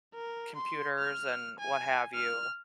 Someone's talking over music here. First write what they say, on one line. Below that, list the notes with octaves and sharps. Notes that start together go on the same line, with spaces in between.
computers and what have you,
A#4
C6
F6
G#5
F6